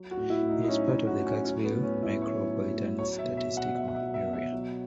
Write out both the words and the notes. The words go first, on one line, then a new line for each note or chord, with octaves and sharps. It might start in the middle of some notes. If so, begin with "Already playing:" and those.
It is part of the Kirksville Micropolitan Statistical Area.
Already playing: F#3
F#4
A2
E4
A2
D#4
D#4
F#3 C#4
E4
F#3
F#4
A2
C#4
F#3 C#4
B3
A2
C#4
A2
E4
F#3 C#5
F#3
A2
F#3 C#5
E5
B2
E5
B2
F#5
F#3 E5
F#5
E5
F#3
E5
B2
E5
F#3